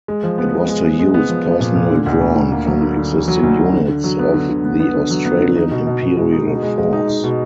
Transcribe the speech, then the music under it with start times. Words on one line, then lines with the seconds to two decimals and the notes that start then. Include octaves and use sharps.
It was to use personnel drawn from existing units of the Australian Imperial Force.
0.08 G#3
0.23 F3
0.38 B3
0.54 G#3
0.69 G#3
0.84 G#3
0.99 G#3
1.14 B3
1.30 F3
1.45 F3
1.60 A#2
1.75 A#2
1.90 D3
2.06 D2
2.21 D2
2.36 D3
2.52 A#3
2.67 F#3
2.82 D3
2.97 D3
3.12 F#3
3.28 F#3
3.43 D2
3.58 D3
3.73 D3
3.88 D3
4.04 F#3
4.19 B3
4.34 D3
4.50 D3
4.65 B3
4.80 B3
4.95 D3
5.11 F#3
5.25 B3
5.40 D3
5.56 D#4
5.71 B2
5.87 B2
6.02 B2
6.17 G#3
6.33 D#4
6.47 B2
6.63 G#3
6.78 G#3
6.93 D#4
7.08 D#4
7.24 B2